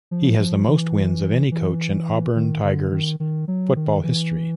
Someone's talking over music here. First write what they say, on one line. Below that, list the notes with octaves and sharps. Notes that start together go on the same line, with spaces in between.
He has the most wins of any coach in Auburn Tigers football history.
F3
F3
E3
E3
D#3
D3
D#3
D#3
F#3
D#3
E3